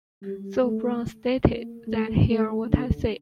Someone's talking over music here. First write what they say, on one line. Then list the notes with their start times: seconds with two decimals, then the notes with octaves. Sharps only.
Though Brown stated that Hear What I Say!
0.22 G3
0.63 A3
1.46 A#3
1.87 A3
2.28 A3
2.69 D3